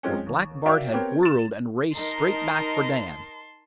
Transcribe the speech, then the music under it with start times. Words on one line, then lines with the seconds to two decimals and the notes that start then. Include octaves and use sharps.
For Black Bart had whirled and raced straight back for Dan.
0.03 F3 G#3 C4 C#4
0.26 D#2
0.66 F#4 A#4 D5 E5 F5 G5
0.93 B3 C4 G4 A#4 C#5
1.23 A6 E7
1.95 D#4 A#4 A5 C6